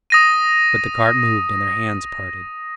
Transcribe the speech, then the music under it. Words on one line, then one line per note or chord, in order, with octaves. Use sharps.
But the cart moved and their hands parted.
D#6 A#6 D#7